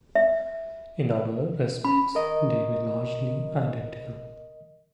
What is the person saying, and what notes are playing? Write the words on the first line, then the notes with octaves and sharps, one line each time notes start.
In other respects they were largely identical.
E5
C#4 B5
A#4 D#5